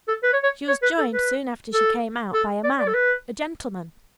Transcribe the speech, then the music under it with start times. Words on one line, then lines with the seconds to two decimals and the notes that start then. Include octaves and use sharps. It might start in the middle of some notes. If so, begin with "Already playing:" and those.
She was joined soon after she came out, by a man; a gentleman.
0.08 A4
0.23 B4
0.33 C#5
0.43 C#5
0.68 C#5
0.83 B4
0.98 A4
1.13 B4
1.74 A4
2.34 A4
2.64 D5
2.79 D5
2.87 A4
2.94 B4